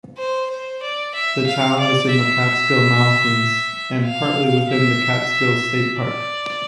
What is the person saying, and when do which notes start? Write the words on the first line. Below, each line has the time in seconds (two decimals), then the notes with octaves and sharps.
The town is in the Catskill Mountains and partly within the Catskill State Park.
0.18 C5
0.50 C5
0.83 D5
1.15 E5
1.47 F5
1.80 D5
2.12 E5
4.05 F5
4.70 E5
5.99 D5